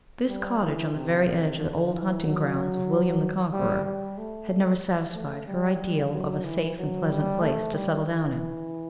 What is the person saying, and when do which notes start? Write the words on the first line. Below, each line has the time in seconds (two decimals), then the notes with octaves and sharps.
This cottage on the very edge of the old hunting grounds of William the Conqueror had never satisfied her ideal of a safe and pleasant place to settle down in.
0.27 G3
0.61 E3
0.93 C3
1.25 C3
1.58 D3
1.90 E3
2.23 F#3
3.53 G3
3.85 G3
4.18 A3
5.14 A3
5.47 G3
6.13 F#3
6.44 E3
6.78 F#3
7.10 G3
7.41 A3
7.74 G3
8.07 E3